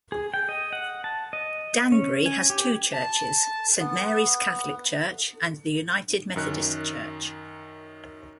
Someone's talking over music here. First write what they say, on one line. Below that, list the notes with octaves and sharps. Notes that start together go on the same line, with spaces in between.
Danbury has two churches, Saint Mary's Catholic Church and the United Methodist Church.
G#4
G5
D#5
F#5
A5
D#5
C#4
G#5
G4
A5
B3
F#2 D#3 F#6